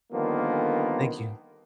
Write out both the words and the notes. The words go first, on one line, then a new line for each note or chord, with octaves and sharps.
Thank you.
D3 D#3 F3 G3 A#3 B3